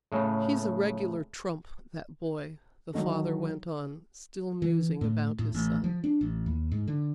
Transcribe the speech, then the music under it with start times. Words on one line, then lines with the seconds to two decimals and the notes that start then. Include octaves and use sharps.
"He's a regular trump, that boy," the father went on, still musing about his son.
0.12 A2 C#3
2.93 D#3 F#3 D#4 A4
4.62 E3
5.01 A2
5.39 A2
5.54 A1
5.84 F3
6.04 D4
6.21 A1
6.46 D#2
6.72 G#2
6.88 D3